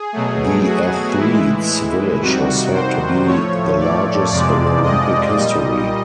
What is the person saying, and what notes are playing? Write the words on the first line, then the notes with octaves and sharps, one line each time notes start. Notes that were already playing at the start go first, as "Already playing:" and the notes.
The athletes' village was said to be the largest in Olympic history.
Already playing: G#4
B2 F#3 A3
F#4
A2 E3 G#3 E4
F2 C3 D#3 G3 F#4
C5
A2 F3 A3 C#5
D5
F2 C3 F3 G#3 D5
D#5
A#2 G3